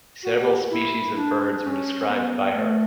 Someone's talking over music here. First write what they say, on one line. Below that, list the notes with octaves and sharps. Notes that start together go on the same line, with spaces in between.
Several species of birds were described by her.
F#4
G4
E4
D4
D4
C#4
B3
A3